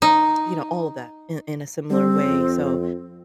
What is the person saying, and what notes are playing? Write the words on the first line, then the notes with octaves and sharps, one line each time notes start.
you know, all of that, in in a similar way. So,
D#4
G3 C4
F2